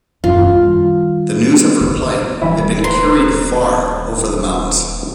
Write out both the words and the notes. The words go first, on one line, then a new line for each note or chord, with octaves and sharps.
The news of her plight had been carried far over the mountains.
F#2 F4
D#3 G3
D3
D#1 E3 G3 E4
B4 C5 A#5 C6